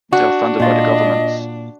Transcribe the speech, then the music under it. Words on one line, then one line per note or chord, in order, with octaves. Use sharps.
They are funded by the government.
D4 F#4
A#2 F4 D#5